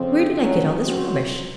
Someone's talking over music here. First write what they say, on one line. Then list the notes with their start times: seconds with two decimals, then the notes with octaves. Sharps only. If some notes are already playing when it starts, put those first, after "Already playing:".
Where did I get all this rubbish?
Already playing: F2 C#3 F3 C4
0.39 A#1 A#2 F#3 C#4
0.84 C#3 F#3 C4 F#4